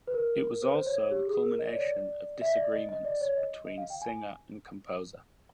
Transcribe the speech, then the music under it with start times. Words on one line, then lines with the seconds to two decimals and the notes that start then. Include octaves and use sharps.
It was also the culmination of disagreements between singer and composer.
0.07 B4
0.14 A#4
0.62 B4
0.74 C5
0.86 C#5
0.99 C#5
1.11 G4
1.27 G#4
1.43 A#4
1.59 D#5
1.67 D5
1.73 C#5
1.81 D5
2.41 E5
2.49 D#5
2.56 D5
2.72 D#5
2.89 D#5
3.05 D5
3.21 C#5
3.37 D#5
3.66 D#5
3.78 F5
3.90 G5
4.02 G#5